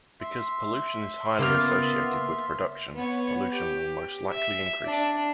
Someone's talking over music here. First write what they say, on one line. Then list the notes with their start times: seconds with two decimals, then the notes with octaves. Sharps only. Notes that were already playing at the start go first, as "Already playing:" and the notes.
Because pollution is highly associated with production, pollution will most likely increase.
0.21 E5 C6
1.39 C#3 A#3 B3 F4 B5 F6
2.95 B3 C#5
3.51 G4
4.30 E5
4.85 D4